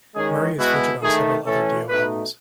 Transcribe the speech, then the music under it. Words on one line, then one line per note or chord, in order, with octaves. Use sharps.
Murray is featured on several other Dio albums.
D#3 G#3 C#4 G#4
B2 G#3 B3 E4 F#4
D#3 A3 D#4 G#4
E3 A3 C#4 A4
B2 A3 D#4 B4